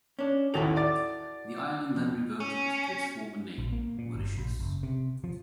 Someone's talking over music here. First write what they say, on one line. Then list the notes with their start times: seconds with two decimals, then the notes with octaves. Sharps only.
The island then reverted to its former name, 'Mauritius'.
0.19 C#4 D4
0.54 A1 D#2 E4 F#4 A4 F7
0.76 D5 D6 A6
1.96 F2
2.40 C#4
3.58 A#1
3.73 A#3
3.99 A#2
4.15 G1
4.37 A#1
4.59 F#1
4.83 C3
5.24 F3